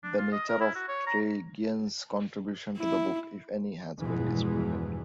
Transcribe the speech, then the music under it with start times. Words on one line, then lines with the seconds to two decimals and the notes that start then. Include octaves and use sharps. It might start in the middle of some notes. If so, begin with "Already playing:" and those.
The nature of Tregian's contribution to the book, if any, has been disputed.
0.03 D4
0.17 F4
0.32 D#5
0.49 A#4
0.61 E4
0.75 F#4
0.88 C#5
1.07 A#5
2.78 E4
4.00 E2 G2 B2 E3 F3 G#3